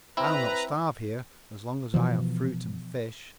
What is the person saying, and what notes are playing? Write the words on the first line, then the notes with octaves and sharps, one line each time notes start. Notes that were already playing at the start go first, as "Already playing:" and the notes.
"I'll not starve here as long as I have fruit and fish."
C4 E4 B4 A#5
B2 E3 F3